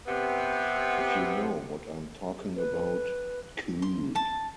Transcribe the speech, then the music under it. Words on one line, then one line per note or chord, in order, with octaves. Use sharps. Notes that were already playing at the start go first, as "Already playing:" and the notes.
If you know what I'm talking about, cool.
C3 B3
B4
C6
A5